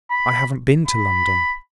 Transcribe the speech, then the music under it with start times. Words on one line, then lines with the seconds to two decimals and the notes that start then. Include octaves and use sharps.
'I haven't been to London.
0.11 B5
0.87 B5